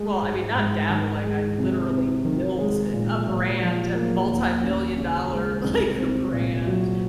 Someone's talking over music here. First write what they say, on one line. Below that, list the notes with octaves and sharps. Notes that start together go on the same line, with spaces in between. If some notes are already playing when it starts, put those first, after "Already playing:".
Well, I mean, not dabbling, I literally built a brand, a multimillion dollar, like, brand,
Already playing: G#3
G#2
G#2
D#3
G#3
C3
C4
D#3
G#3
A#2
A#2
F3
A#3
D#2
C#4
C#3
G#3
C2
C4
A#2
F#3